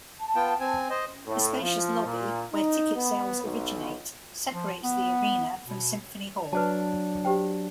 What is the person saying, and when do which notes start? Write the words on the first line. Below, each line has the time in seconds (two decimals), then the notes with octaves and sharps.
A spacious lobby, where ticket sales originate, separates the Arena from Symphony Hall.
0.20 A5
0.35 B3 F4 G5
0.60 C4 G#5
0.90 C5 D#5
1.27 A2
1.61 F3
2.05 A#2
2.52 D#4
2.95 B3
3.44 B1
4.53 F3
4.84 B3
5.65 B2
6.53 F#3 D4 B4 A5
7.25 G4 C5 G5